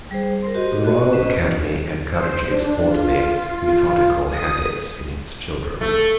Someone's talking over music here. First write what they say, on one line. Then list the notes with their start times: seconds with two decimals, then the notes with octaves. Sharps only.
The Royal Academy encourages orderly, methodical habits in its children.
0.11 G3 G#4 C5
0.42 A#4 C5 C6
0.55 F#4 G4 D#5
0.85 F#4 D#5
1.13 C#4 B4 C5 D#5
2.10 C5
2.47 D4
2.84 F4
4.25 D#6
5.81 A3